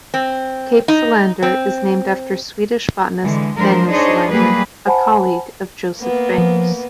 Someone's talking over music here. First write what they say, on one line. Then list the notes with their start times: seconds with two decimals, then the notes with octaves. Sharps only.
Cape Solander is named after Swedish botanist Daniel Solander, a colleague of Joseph Banks.
0.14 C4
0.88 D#4
1.42 C4
3.22 D3 E3 G#3
3.57 F3 F#3 G#3 D4 A#4 C5
3.88 D4 D#4 G#4 C5 C#5 D#5
4.30 F#3 G3 A#3 G4 G#4 B4
4.87 C5 F#5 G#5 A5 B5
5.98 A#3 B3
6.38 F3